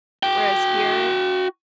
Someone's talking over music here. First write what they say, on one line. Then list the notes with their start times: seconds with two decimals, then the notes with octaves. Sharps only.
whereas here,
0.23 F#4 G5